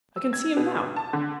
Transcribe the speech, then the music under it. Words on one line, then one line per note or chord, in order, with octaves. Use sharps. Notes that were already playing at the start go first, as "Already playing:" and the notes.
I can see him now.
E6
G#6
B2
A5
D3